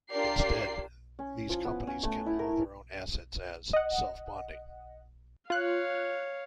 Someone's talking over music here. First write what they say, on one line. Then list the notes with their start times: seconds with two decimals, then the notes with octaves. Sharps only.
Instead, these companies can hold their own assets as "self-bonding".
0.11 D4 F4 G4 A#4 D5 C7
1.19 C#4
1.49 F3
1.65 B3
1.87 C#4
2.03 A3
2.26 E4
2.39 A#4
3.73 D#5 F#5
5.50 F4 C#5 F5 F#6